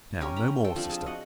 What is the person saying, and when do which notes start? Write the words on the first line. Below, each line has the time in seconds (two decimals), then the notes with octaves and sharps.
Now, no more, sister!
0.21 C#4 G4 A#4 G#5
0.36 A#5 B5
0.64 A4 C5 G5
0.76 F3 C4 D4 F4
0.90 G#4 A5
1.06 F#4 D#5 F#5